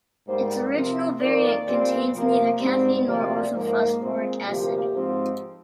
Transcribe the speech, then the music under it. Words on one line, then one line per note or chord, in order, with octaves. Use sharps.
Its original variant contains neither caffeine nor orthophosphoric acid.
G#2 G3 A#3 C5
C3 F3 C4 A#4
F2 D#3 A#3 D5
A#2 G3 C4
C3 F3 A#3
G#2 G3 C4
D2 C3 F3 A#3 D5
G#2 F3 A#3
A#2 G#3 C4 C5
D2 C3 F3 A#3 G4
G#2 F3 C4